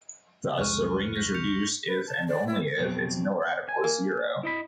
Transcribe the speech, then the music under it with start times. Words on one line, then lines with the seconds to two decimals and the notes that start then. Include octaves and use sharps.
Thus, a ring is reduced if and only if its nilradical is zero.
0.58 C2 F2 G#3 C#6 F6 F#6
1.16 A#6 B6
1.35 G6 C#7 F7
1.87 B4
2.07 A5
2.28 D5
2.47 E4
2.78 F2 B2 F#3 C4
3.69 G#5
3.84 A#3
4.43 E4 D#5 B5